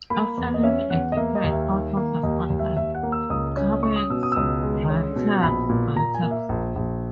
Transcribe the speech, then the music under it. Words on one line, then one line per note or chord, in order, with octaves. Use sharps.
After nearly a decade out of the spotlight, Cummings reentered politics.
A#3 B5
E2
D#5
C#4 E5
E2 F#5
D#5
A#3 E5
D#5
D#2
E5
D#3
A#3
D#2 D#5
D#2
E5
D#2 E5
F#5
A#3
E6
C#2 D#6
C#4
C#4 C#6
D#6
B2 E6
D#6
E6
C#2 D#6
G#3
C#4
B2
A#1 B5
A#2
A#2 A#5
G#5
A#3
E5
A#1
A#1